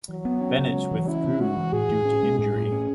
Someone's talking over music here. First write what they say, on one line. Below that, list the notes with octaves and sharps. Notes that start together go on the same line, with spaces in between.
Bennett withdrew due to injury.
E3 F#3
B3
C#4
C#3
G#3
E3
C#4 E4
C#3
G#3 F#4
E3
A2 G#4
A2
C#4
G#3
A2 G#4
A2
C#4